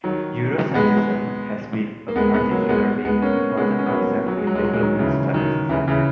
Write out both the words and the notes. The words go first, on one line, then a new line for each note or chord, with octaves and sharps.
Eurocentrism has been a particularly important concept in development studies.
D#3 F#3
G#3 B3
A#3
G#3 B3
G#3 B3
F#3 A#3
G#3 B3
G#3 B3
A#3 C#4
G#3 B3
C#4
B3
F#3 A#3
F#3
G#3
F#3
G#3
F#3
G#3
D#3 F#3
C#3 E3
D#3 F#3
C#3 E3
C#3 E3